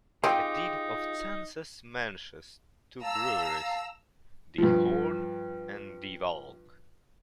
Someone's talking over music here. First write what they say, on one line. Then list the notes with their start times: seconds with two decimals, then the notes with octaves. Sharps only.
A deed of census mentions two breweries, "De Hoorn" and "De Valck".
0.24 C4 D#4 F4 G4 G#4
3.01 F5 A5 A#5 E6
4.58 G2 F3